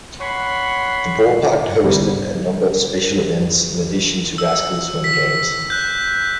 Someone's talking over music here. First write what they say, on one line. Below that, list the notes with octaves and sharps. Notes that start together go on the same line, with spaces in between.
The ballpark hosted a number of special events in addition to Rascals home games.
C#5 F#5 B5 C6
G1 C2 G3
E6
B6
F#6 G6